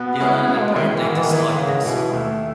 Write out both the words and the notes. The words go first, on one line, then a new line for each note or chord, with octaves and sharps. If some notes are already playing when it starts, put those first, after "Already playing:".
Dylan apparently disliked this.
Already playing: B2 B3
G#3 C#4 E4 G#4
B2 B3
G#3
D#3 G#3 C#4 E4 G#4
D#3
E3
G#2 D#3
E3
D#3
E3 B3 E4 G#4
G#2 C#3
B2 E3 B3 E4 G#4
D#2 A3